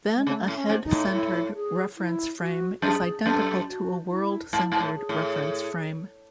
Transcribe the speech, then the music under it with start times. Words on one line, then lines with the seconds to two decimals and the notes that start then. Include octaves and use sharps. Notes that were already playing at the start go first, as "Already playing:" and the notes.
Then a head centered reference frame is identical to a world centered reference frame.
0.16 G#3
0.27 C#3 A3
0.48 A2
0.55 C#4
0.70 G#2
0.84 D#4
0.91 A2
1.07 F#4
1.12 E4
1.55 G#4
1.97 E4
2.39 F#4
2.82 F#2 G#4
3.25 F#2 A4
3.68 F#4
4.06 F#4
4.10 E4
4.53 G#2 E4
4.72 G#2
4.81 A2
4.88 A4
4.95 G#4
5.09 A2